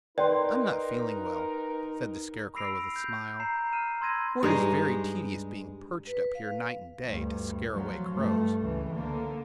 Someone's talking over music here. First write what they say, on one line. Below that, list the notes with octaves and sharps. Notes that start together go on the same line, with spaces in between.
"I'm not feeling well," said the Scarecrow, with a smile, "for it is very tedious being perched up here night and day to scare away crows."
D#4 A#4 B4 D5 G5 C6
B5 E6 A#6 C7 D7 F7
G6
A#5 G6 C7 E7
F6 D#7 E7
B5 C6 E6 G#6 A#6 D#7
G2 G#3 D#4
B4
F5
D2 G2
F3 F#3
G2 A3
C#2 E3
D3 A#3